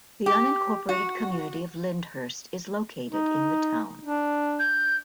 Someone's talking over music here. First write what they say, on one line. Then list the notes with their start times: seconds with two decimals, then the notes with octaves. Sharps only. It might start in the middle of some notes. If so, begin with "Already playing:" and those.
The unincorporated community of Lyndhurst is located in the town.
0.26 G4
0.89 F#4
3.10 D#4
4.05 D4
4.59 G6